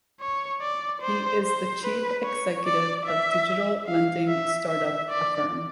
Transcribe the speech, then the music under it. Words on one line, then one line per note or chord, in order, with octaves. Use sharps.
He is the Chief Executive of digital lending start-up Affirm.
C#5
D5
C5
C5
B4
C#5
D5
E5
F5
E5
E5
D5